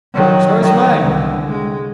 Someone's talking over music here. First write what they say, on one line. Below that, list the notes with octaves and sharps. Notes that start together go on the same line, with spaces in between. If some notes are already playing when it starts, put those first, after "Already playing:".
"So has mine."
D#3 F#3
D#3 F#3
C2 D3
G#3